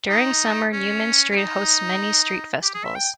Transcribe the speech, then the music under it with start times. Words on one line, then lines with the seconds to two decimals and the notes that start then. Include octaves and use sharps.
During summer, Newman Street hosts many street festivals.
0.09 D#4
0.73 C#4
1.30 C#4
1.37 D#4
2.63 G4
2.74 G#4
2.84 E5
2.95 G5